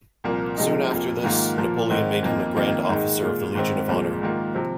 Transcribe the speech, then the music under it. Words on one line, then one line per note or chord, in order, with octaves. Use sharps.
Soon after this Napoleon made him a grand officer of the Legion of Honor.
C2 A#2 F3 A#3
C2 C3 F3 G#3 D#4
F2 F3 A#3
G#2 D#3 A#3 F4
A#2 F3 A#3
G#2 D#3 C4 D#4
F2 F3 A#3 D#4
F2 D#3 A#3 D#4
G#2 D#3 G#3 D#4
A#2 G#3 F4
G#2 D#3 C4
C2 A#2 F3 G#3
G#2 D#3 A#3 F4
C3 F3 C4